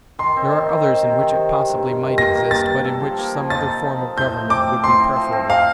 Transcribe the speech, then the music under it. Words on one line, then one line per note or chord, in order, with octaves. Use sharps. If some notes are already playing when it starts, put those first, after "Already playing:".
There are others in which it possibly might exist, but in which some other form of government would be preferable.
D#3 C6
C4
D#3
D#3
C4
C3
D#3
D#3
D#3
G2
D#3
G2
A#3 A#6
A#3
A#3 A6
G2
A4
F3
A#3
F3
D#4 A6
A4
D#4
F3
A2 G6
F3
C4 D6
F3
A2 C6
C4
F3
C4
F5